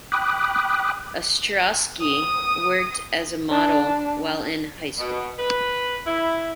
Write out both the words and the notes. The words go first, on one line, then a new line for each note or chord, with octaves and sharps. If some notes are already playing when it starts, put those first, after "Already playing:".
Ostrosky worked as a model while in high school.
G5 B5 D6 D#6 F#6
D#6
D4
B2
B4
E4